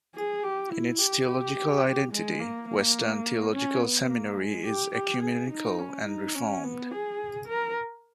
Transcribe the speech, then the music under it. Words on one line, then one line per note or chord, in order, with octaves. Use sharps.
In its theological identity, Western Theological Seminary is ecumenical and Reformed.
G#4
G4
E4
G4
G4
G#3
A#3
A#3
C#4
B3
A#3
G#3
G4
G4
G#4
D#4
C#4
D#4
C#4
B3
G#4
A#4